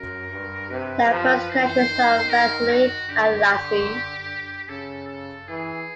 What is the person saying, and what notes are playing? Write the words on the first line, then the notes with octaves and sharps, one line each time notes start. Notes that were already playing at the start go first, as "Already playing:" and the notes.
There are bus connections to Vaslui and Iași.
Already playing: F#2 A#4
G2
C3 B4
F3
E3 C5
D#3
A#4
F#4
D3 G4
C#3 A4
A4
E3 G#4